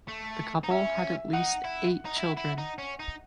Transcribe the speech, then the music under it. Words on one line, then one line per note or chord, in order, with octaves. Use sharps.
The couple had at least eight children.
A3
D#4
C#4 E5
D#4 F#5
E4
D#4
E4
E4
D#4
C#4
D#4